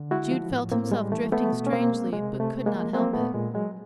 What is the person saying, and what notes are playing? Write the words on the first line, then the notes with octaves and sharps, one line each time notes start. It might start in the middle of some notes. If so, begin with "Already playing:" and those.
Jude felt himself drifting strangely, but could not help it.
Already playing: D3
G#3 E4 F#4
F3
A2
A2 A#3 C4
G3 G#3
E3 A3
G#3 A3 B3
B2
C#4
B2 A#3 C4
G#3
C3 G#3
C3
A3
G#3
G#3 A#3
F3
F#3 A#3 C4
A#2 A3 B3
A#2 G#3
F#3 G#3